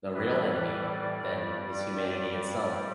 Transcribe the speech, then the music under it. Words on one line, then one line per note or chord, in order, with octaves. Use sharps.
The real enemy then is humanity itself.
A2 E3 G3 B4
D5
G2 G3
D5
G2 G3